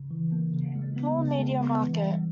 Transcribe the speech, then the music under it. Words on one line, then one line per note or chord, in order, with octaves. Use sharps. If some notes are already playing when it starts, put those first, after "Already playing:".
Paul media market.
Already playing: C#3
E3
A#3
C#3
G#3
B3
C#3
G#3
B3
E3
G3